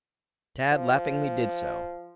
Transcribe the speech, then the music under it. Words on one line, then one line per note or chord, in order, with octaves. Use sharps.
Tad laughingly did so.
F3